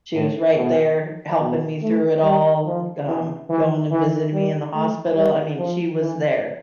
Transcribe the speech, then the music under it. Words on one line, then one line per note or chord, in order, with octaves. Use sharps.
She was right there helping me through it all, g um, going and visiting me in the hospital, I mean, she was there,
A2
B2
B2
A3
G3
F3
E3
E3
E3
G3
A3
G3
F3
E3